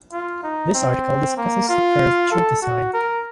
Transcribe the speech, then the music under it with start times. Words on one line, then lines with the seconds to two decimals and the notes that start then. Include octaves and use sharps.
This article discusses the curved tube design.
0.12 F4
0.43 D#4
0.74 C4
1.37 A#3
1.69 F4
2.31 A4
2.62 F#4
2.94 A#4